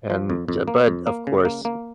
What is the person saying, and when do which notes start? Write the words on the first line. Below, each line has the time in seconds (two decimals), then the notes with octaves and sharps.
and j but, of course,
0.10 F3
0.30 F2
0.48 F2
0.68 A#3
0.88 F2
1.07 A#3
1.27 C#3
1.45 A#3
1.65 A#3